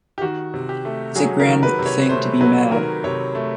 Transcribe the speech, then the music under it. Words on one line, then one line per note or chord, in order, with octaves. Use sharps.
It’s a grand thing to be mad!
G4
D#3 F#4
C3
G4
A3
F#3 G#4
A#4
D#3
B4
C3
C#5
A3 C5
F#3 B4
D#3 A#4
C3 C#5
A3